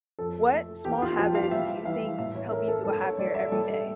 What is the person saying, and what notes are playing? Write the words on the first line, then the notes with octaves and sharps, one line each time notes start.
what small habits do you think help you feel happier every day?
F2 A4
A3
E2 G4
F4
F3 G4
F5
G3 E5
E3 F5
A2 E5
C#5
A3 A#4
A4
G2 A4
C#5
G3 D5
E5
G3 A4